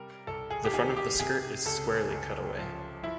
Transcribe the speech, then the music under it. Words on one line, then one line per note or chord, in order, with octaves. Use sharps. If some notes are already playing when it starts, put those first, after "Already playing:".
The front of the skirt is squarely cut away.
Already playing: C3 G3 A#4
C2 A4
G#4
G4
D#3 G#4
G4
C3 G#4
C#2 A4
C#2
F3
F3 E4